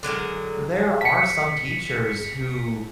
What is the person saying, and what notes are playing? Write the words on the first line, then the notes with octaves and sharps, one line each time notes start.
there are some teachers who
D3 F#3 G#3 A#4
B6 C#7